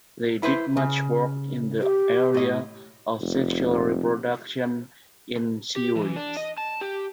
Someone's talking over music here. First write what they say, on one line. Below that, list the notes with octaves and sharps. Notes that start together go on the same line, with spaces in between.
They did much work in the area of sexual reproduction in seaweeds.
E4 B4 C5
C#3
G4
A2 D#5
F1
G4
E3
D4
D#5
A5
G4